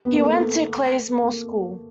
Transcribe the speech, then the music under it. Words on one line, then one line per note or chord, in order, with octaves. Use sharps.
He went to Clayesmore School.
B3
A#3
A3
A#3